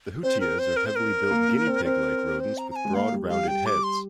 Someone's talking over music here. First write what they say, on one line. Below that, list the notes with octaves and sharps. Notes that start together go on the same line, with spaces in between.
The hutias are heavily built guinea pig-like rodents with broad rounded heads.
C4 C5
A#4
C5
A#4
C5
A#4
A#3
A#3
C4
C4 A#4
C5
A#5
A#5
G#5
G#3
A#3 F5
G3
G3 F5
G3 G5
D6
C6